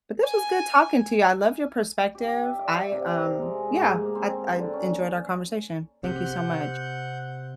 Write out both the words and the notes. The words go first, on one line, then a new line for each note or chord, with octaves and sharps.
But this was good talking to you. I love your perspective. I, um, yeah, I I enjoyed our conversation. Thank you so much.
G#5
G4
E5
D5
C3
E5
A#5
G#3
G#2
A#3
C4
D3
C#4
C3 F#5 G6